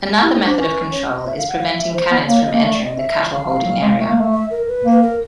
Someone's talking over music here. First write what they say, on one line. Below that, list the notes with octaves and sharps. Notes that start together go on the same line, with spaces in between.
Another method of control is preventing canids from entering the cattle holding area.
E4 G4
D#4
D4 C5
C#4 B4
C#5
D#5
E5
F5
F#5
F5
E5
C5
B3
A#3 C#5
D#5
A#3
A3 D5
D5
D#5
E5
F5
F5
F#3
G#3
A3
A#3
A3
E5
A#4
B4
A#3
B4
A#4